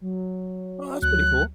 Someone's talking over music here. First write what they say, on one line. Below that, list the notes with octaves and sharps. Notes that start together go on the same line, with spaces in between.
Oh, that's pretty cool.
F#3
D2 F#6